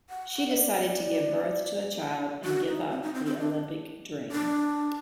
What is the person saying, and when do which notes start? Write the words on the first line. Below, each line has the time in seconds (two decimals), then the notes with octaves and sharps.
She decided to give birth to a child and give up the Olympic dream.
0.10 F#5
0.33 F#5
0.51 D#5
0.57 D5
2.44 F#4
2.68 D#4
2.91 C4
3.03 D#4
3.14 C4
3.26 C4
3.38 D4
4.31 D4